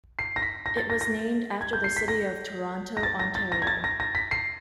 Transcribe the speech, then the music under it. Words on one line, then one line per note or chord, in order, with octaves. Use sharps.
It was named after the city of Toronto, Ontario.
C7
A#6
B6
A#6
A6
A#6
A#6
G#6
G6
C7
B6
A#6
A#6
A6
A#6
A6
A#6
G#6
A6
A#6
A#6
B6
C7